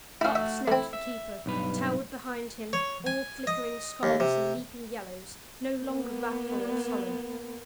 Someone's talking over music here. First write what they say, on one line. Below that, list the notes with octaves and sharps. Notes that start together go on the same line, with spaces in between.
Up snapped the Keeper; towered behind him, all flickering scarlets and leaping yellows--no longer wrathful or sullen.
A3 E4 F#4 F5
E5
A3 C4 E4
E5
B1 G2 B4
C#5
G#5
D#5
D#2
C3
A#3 B3